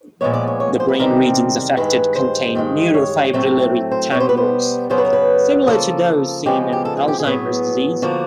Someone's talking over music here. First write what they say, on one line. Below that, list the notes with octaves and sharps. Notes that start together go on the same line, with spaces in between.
The brain regions affected contain neurofibrillary tangles, similar to those seen in Alzheimer's disease.
A#2 F3 G#3 B3 C#5
D5
C#5
C#5
C5
B4
E2 C3 D#3 G3 C4 A#4
G2 D#3 G#3 B4
C5
G2 D#3 G#3
C#5
A2 F#3 A3 C4
C5
B2 G3 B3 C#5
C5
B4
C5
F#2 C#3 F#3 B3 C5
B4
A#4
B4
C#3 F3 A#3 A4
C#3 F3 G#3 B3 G4
G4
A4
G#4
G4
G#4
A2 F#3 B3
D3 F3 A#3 F#4